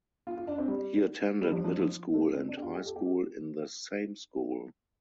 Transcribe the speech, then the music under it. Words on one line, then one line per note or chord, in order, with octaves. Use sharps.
He attended middle school and high school in the same school.
F4
F4
D4
C4
G3
G3
F3
F3
F3
A3
C4
D4
G4
F4
G4
A4
G4